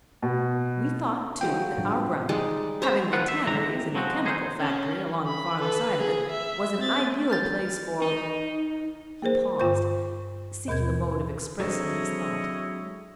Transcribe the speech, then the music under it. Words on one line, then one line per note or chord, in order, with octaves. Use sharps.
"We thought, too, that our ground, having the tanneries and the chemical factory along the farther side of it, was an ideal place for--" he paused, seeking a mode of expressing his thought.
B2
F3 F#3 G#3 G5
A2 G3 D4
G3 G#3 D#4 D5
C5 E5 A#5 B5
D2 F3 F#3 B3 F4 F#5
E5
G#3 E4 G4 A#5
F3 F#3 G#3 C4 F#4
D#4 G#4 C5
C#4
B5
A4 B4
G#4
E5
C4 A6
F6 G6 A6
D#4
A#3 G#4 A#4 C5
G2 D3 F4 C5 C#6 G6
D#2 B2 A#4 G6 G#6
F#3 G#3 C4 D4 E4 A4 C#5 D#5